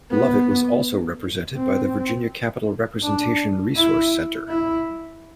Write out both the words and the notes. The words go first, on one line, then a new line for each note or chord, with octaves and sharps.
Lovitt was also represented by the Virginia Capital Representation Resource Center.
B3
C4
D4
E4
E4